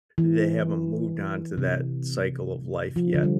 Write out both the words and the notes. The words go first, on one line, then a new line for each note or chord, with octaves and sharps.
They haven't moved on to that cycle of life yet,
E3
C3
F3
D3
G3